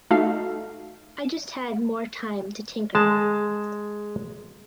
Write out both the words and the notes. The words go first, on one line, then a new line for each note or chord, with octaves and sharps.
I just had more time to tinker.
A3 D#4 F#4 A4 E5 F5
G#3 A5